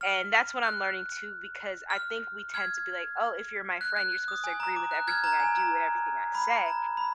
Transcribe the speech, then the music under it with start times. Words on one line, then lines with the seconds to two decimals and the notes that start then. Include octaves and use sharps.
and that's what I'm learning too, because I think we tend to be like, "Oh, if you're my friend, you're supposed to agree with everything I do and everything I say."
0.01 F6
0.63 F#6
1.90 F6
2.54 F6 G#6
3.81 F#6
3.97 F#6
4.12 F#6
4.28 D#6
4.44 G#5
4.60 A#5
4.76 D6
4.91 F#6
5.08 F6 G#6
5.24 A#5
5.40 G#5
5.55 A#5
6.35 B5
6.66 A#5
6.97 B5